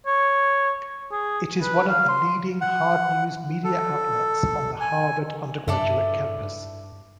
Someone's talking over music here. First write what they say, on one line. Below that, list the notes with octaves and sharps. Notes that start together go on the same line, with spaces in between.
It is one of the leading hard-news media outlets on the Harvard undergraduate campus.
C#5
G#4
B4
F5
C6
F#5
A4
G#5
G2 E4 A4 D5